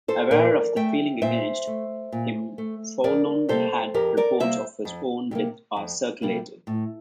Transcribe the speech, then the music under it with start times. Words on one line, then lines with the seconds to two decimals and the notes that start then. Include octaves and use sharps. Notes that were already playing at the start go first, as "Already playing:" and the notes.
Aware of the feeling against him Foullon had reports of his own death circulated.
0.08 A4 C5
0.31 A#2 A#4 D5
0.76 A3 E5 G5
1.22 A#2 C5 E5
1.67 A3
2.12 A#2
2.58 A3
3.04 F2 A#4 D5
3.49 C3 G3 A#3 A4 C5
3.94 F2 G4 A#4
4.17 A#4 D5
4.40 C3 G3 A#3 C5 E5
4.85 F2
5.31 C3 G3 A#3
5.76 F2
6.22 C3 G3 A#3
6.67 A2